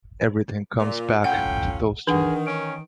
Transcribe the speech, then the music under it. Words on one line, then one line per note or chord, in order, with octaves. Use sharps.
Everything comes back to those two.
A#2
A2 C#4 F4 F#5 G5
D#3 E3 D4 G#4 F#5
C#4 D7